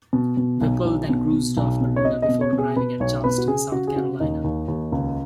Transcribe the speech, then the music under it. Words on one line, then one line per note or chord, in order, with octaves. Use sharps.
Whipple then cruised off Bermuda before arriving at Charleston, South Carolina.
B2
B2
B1
B1
B2
B2
B1
B2
C#5
B2 D#5
D#5
B2
C#5
B2
G#4
B2 B4
B1 C#5
B2 B4
F#4
C#3 G#4
C#3 F#4
G#4
C#3 F#4
D#2 D#4
D#2
D#2
C#2